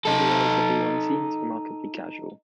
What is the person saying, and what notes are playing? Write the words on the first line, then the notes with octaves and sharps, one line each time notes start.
Otherwise every one seems remarkably casual.
D#4 A4